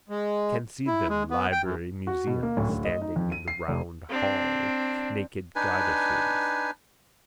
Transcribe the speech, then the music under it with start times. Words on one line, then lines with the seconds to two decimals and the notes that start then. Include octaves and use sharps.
Can see them library museum standing in the round hall, naked goddesses.
0.09 G#3
0.87 E4
1.09 G#3
1.30 B3
1.52 G5
1.64 F#2
2.07 F#4
2.27 B2
2.43 A#3
2.57 D1
2.69 D1
2.85 D#5
3.02 D#4
3.16 F2
3.32 D#7
3.48 C7
3.68 F1
4.09 C4 D4
5.56 D4 D#4 B4 G#5